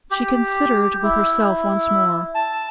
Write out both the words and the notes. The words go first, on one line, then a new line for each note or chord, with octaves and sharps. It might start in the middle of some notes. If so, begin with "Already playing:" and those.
She considered with herself once more.
G4
E4
A5